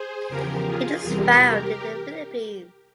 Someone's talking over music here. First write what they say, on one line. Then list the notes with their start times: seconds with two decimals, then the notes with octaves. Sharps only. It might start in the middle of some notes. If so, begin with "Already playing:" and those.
It is found in the Philippines.
Already playing: G#4 C5
0.29 E2 C#3 F3 G4 A#4
0.67 F4 G#4
1.04 E2 C3 E3 G3 G4 A#4